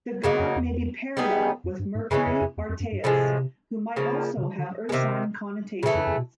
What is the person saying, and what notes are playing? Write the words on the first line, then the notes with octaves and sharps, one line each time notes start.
The god may be parallel with Mercury Artaius, who might also have ursine connotations.
F#2 C#3 F#3 A#3 D#4
F2
E2
G3 B3 D#4 G#4
F2
G2
G#2
F#2 C#3 E3 G#3 C#4
F2
F2
E2
F2
F#2
G2
A2 C3 F3 G#3
C#3 F3 A#3
C3
C#3
D3
G#3
C3 D#3
A#2 C#3 E3 A3
F2
F2
B2